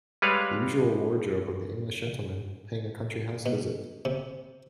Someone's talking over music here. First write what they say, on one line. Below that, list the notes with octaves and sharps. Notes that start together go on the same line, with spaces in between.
The usual wardrobe of the English gentleman paying a country-house visit.
G3 G#3 B4 C#5 F5
B2
C3